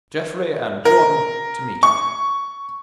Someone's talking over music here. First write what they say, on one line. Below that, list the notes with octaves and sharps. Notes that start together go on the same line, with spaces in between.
Geoffrey and Jordan, to meet it.
A#4
C#6